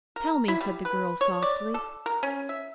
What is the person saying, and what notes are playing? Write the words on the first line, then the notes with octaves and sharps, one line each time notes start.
"Tell me," said the girl softly.
A#4
E4
G3
B4
C#5
D5
A4
A#4
C#4
E5